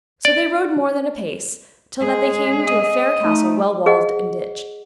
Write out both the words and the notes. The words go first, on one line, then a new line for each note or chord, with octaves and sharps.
So they rode more than a pace, till that they came to a fair castle well walled and ditched.
D5
G#3 G#4
D#5
A3 D#4
G#4 D#5 F#5